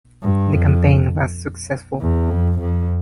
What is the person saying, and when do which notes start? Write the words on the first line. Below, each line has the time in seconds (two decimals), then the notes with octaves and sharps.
The campaign was successful.
0.22 G2
0.52 F2
2.01 E2
2.30 F2
2.60 F2